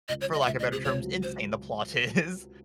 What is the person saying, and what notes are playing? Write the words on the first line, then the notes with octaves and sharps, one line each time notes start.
for lack of better terms, insane the plot is.
C#2 D#5
C#5
F#3
D#5
F#5
C#2 E5
D#5
C3
G#4
C#2 C#5
F#3
C5